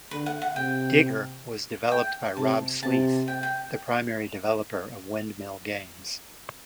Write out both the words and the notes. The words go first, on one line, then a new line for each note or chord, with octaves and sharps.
"Digger" was developed by Rob Sleath, the primary developer of Windmill games.
D3 B4
F#5
F#5
C3 G5
G5
C3 A5
C3 A5
G5
G5